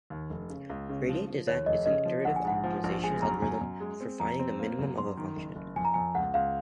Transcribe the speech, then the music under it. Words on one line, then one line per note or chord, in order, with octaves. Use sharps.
Gradient descent is a iterative optimization algorithm for finding the minimum of a function.
D#2
F1
C#3
C#2
C#3
F3
F3
D#2 C#5
F1 D#5
C#3 D#5
F3
A#1 F#5
G#5
G#2 F#5
F3
A#1
G#3 G#5
F#2 A#5
F#2 G#5
F#2
G#3
C4
F2 A#5
C4
A#3
F#2
F#2 C6
D#3
F#1
F#1
F2 G#5
A#5
F2 G#5
C#2 F#5
C#2 F5